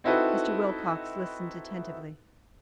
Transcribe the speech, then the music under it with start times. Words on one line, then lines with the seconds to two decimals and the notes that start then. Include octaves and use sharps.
Mr. Wilcox listened attentively.
0.04 C4 D#4 E4 F#4 A4 B4